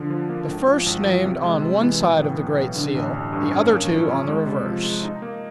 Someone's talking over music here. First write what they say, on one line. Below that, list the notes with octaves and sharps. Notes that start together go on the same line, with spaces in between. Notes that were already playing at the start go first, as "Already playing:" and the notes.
The first named on one side of the great seal, the other two on the reverse.
Already playing: D3 F3
F3
A#3
G#1
F3
G#1
F3
C3
G#3
C3
E3
B1
A2
B1
B1
D3
A1
A1
G2
C#4
A#3
F3
C#4
G#3
C3
F3
G#3
D#4
A#3